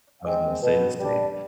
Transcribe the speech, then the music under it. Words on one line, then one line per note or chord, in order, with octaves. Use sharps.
I was gonna say the same.
G#3 C4
B2
G3 D4